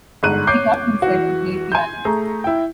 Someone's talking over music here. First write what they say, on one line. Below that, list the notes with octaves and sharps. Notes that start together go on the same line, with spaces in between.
He taught himself to play piano.
G1 G#2 D3 F#6 D#7
C#5 D6 G6 C7
E3 F#4
G#5 C6 G6
A3 G#4 A#5
E4 G5